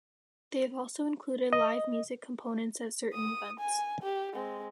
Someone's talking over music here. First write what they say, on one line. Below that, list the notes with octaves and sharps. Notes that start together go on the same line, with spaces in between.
They have also included live music components at certain events.
D#5
D#6
G#5
G4
G#3 C4